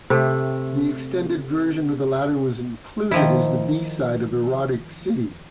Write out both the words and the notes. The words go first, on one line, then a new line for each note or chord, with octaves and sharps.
The extended version of the latter was included as the B-side of "Erotic City".
C3 A3 G4
D#3 F3 E4